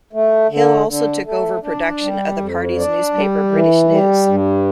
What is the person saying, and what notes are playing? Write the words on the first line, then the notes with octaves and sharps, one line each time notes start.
Hill also took over production of the party's newspaper "British News".
A3
D3
D3
A3
D4
G3
F2
D4
G3
E3
G3
G2